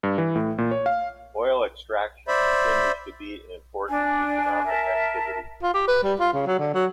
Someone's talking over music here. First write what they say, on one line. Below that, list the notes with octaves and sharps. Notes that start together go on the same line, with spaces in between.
Oil extraction continues to be an important economic activity.
G2
E3
A2
A#2
C#5
F5
C5 D5 E5 B5
D4 G#5
A#4 E5 A5
F4
G4
B4
G3
F4
C#3
F#3
D3
F#3